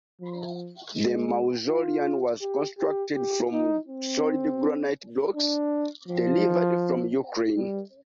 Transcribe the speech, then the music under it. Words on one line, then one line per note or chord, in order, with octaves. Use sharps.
The mausoleum was constructed from solid granite blocks, delivered from the Ukraine.
F3
G#3
F4
G4
G4
G4
D#4
C4
D4
F3
G3